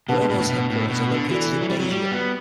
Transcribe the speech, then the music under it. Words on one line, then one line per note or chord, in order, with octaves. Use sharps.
The railroad's headquarters are located in Daejeon.
B2 D4 G4 B4 F#5 A5
B2
A2
A2
B2
A2
B2
D3
E3 F#4 A4 D5
F#3
G3
F#3
G3
B3